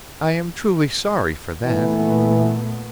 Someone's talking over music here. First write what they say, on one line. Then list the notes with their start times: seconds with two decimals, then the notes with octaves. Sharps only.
"I am truly sorry for that."
1.65 A#2 E3 A3 B3